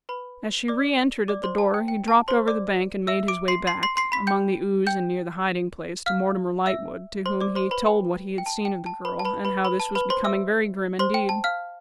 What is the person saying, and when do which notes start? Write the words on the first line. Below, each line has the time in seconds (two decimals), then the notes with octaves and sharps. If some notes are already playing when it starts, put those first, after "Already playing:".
As she re-entered at the door, he dropped over the bank and made his way back, among the ooze and near the hiding-place, to Mortimer Lightwood: to whom he told what he had seen of the girl, and how this was becoming very grim indeed.
0.09 B4 B5
0.68 D5 D6
1.28 D5 D6
1.43 C5 C6
1.58 A5
1.74 G5
1.88 G5
2.08 A5
2.28 C5 C6
2.48 D5 D6
3.07 E5 E6
3.28 D6 D7
3.48 C6 C7
3.67 C6 C7
3.83 C6 C7
3.97 C6 C7
4.12 B5 B6
4.27 G5 G6
4.87 G5 G6
6.06 F5 F6
6.66 E5 E6
7.26 C5 C6
7.41 D5 D6
7.55 C5 C6
7.71 B4 B5
7.86 G5
8.38 G5
8.46 A5
8.65 G5
8.86 A5
9.05 B4 B5
9.19 A5
9.25 B4 B5
9.45 B4 B5
9.65 B4 B5
9.80 A5
9.95 B4 B5
10.10 C5 C6
10.24 E5 E6
10.99 C5 C6
11.14 G5
11.29 A5
11.44 F5 F6